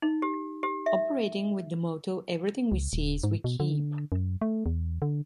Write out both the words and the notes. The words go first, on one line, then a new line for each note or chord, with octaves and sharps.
Operating with the motto Everything we seize, we keep.
D#4
G4
G4
E5
C#2
D#1
G#2
B2
D3
F#2
A3
E2
D3